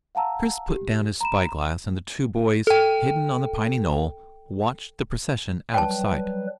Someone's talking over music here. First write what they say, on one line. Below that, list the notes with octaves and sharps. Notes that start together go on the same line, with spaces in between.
Chris put down his spyglass and the two boys, hidden on the piny knoll, watched the procession out of sight.
F5 F#5 A5 A#5 E6
G4
A#5 B5 E7
A4 G5
F#3 G3 B4 G5 A5